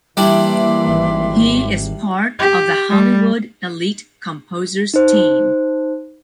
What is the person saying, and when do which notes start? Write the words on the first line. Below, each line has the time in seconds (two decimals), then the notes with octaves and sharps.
He is part of the Hollywood Elite composers team.
0.17 E3 G3 A#3 D4 E4 E5 C6 D6
0.87 G#1
2.39 G4
2.90 G3
4.94 D#4 C5